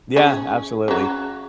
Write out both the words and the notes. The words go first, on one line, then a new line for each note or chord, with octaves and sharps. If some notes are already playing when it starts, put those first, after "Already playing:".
Yeah, absolutely.
C#4 G#4
C#3 F#3